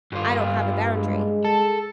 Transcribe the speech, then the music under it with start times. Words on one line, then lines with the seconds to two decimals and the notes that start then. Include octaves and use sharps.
I don't have a boundary.
0.12 G2 F4
0.93 G#3
1.44 A4